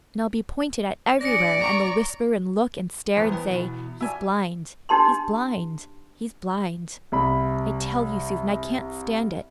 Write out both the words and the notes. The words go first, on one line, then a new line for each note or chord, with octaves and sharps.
And I'll be pointed at everywhere; and they'll whisper and look and stare, and say, 'He's blind--he's blind--he's blind.' I tell you, Susan, I can't stand it.
D4 G#4 D5 A#6 C#7
A#5 C#6
E2 B3 C5
E4 B4 G5
B2 E4
F#4 D5 E5 G#5
D4 D#4 G4 A5 C6
C2 B5